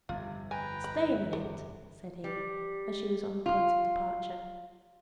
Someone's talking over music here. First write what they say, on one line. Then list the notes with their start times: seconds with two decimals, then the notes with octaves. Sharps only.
"Stay a minute," said he, as she was on the point of departure.
0.09 G1 F2 C3 F4
0.51 B4 G5 G#5 A#5
0.84 B5
1.33 C3 A4
2.24 G3
3.46 F4